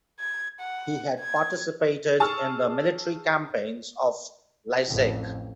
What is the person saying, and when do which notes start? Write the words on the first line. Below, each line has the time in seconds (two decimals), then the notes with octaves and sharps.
He had participated in the military campaigns of Leszek.
0.20 G#6
0.60 F#5
1.20 G#6
2.20 G#4 A5 C#6 E6 F6
4.87 A1 F2